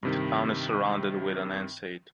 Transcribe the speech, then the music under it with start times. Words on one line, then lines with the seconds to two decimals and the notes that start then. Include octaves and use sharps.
The town is surrounded with an enceinte.
0.03 G2 C3 D#3